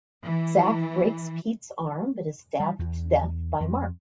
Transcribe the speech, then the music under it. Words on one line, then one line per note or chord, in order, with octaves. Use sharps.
Zack breaks Pete's arm but is stabbed to death by Marc.
E3
G3
E2
F2